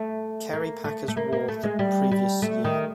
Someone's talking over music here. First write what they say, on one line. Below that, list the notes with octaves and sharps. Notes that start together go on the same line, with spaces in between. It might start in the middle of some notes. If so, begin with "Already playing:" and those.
Kerry Packer's War the previous year.
Already playing: A3
A#3
A3
A3
A#3
A#3
A3
G#3
G3
G3
A3
D#3